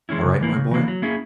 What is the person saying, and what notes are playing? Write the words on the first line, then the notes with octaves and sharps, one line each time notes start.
All right, my boy!
E3 G#3 C#4 E4
C#3
E3 A#3 E4
C#3
E3 A#3 E4
F#3
A#3 C#4 E4 G#4